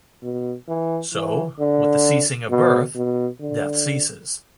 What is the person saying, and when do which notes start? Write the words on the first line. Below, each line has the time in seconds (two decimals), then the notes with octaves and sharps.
So, with the ceasing of birth, death ceases.
0.23 B2
0.69 E3
1.14 E3
1.60 D3
2.50 B2
2.95 B2
3.40 D3